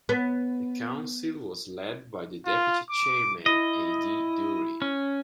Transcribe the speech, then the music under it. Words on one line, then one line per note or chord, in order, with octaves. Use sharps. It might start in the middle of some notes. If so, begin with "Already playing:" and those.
The council was led by the deputy chairman, ad-Douri.
B3
F4
D6
E4 D#5
C#4